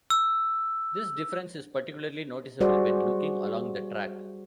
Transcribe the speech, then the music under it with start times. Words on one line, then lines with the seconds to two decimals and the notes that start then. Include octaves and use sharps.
This difference is particularly noticeable when looking along the track.
0.10 E6
2.60 G3 F#4 G#4 C5 D5